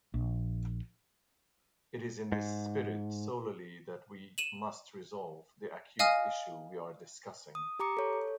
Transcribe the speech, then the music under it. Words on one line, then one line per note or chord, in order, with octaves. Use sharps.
It is in this spirit solely that we must resolve the acute issue we are discussing.
A#1
G#2
D#7 E7 F#7
D#5 F5 G#5 D#6 F6
D#6
G4 A#5 D6 C#7
A4 C#5